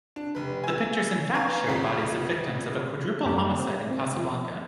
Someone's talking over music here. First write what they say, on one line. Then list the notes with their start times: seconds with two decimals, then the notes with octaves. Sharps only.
The pictures in fact showed bodies of victims of a quadruple homicide in Casablanca.
0.16 D4
0.35 F1 B4
0.64 G#5 E6
1.35 B4 F5 G#5 A#5 C#6 G#6
1.66 G#1 F2 C#3 B6 C7
3.25 F#2 A#3 G4 A4
3.60 C4
3.91 C4
4.17 F2